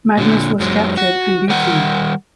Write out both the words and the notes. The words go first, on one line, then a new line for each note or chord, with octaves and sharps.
Magnus was captured and dethroned.
A#2 D3
F#2 F#3 G#3
F#4
D#3 G3 A#4 F#5